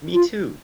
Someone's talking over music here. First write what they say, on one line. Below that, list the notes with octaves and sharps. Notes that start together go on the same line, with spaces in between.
Me too!
F4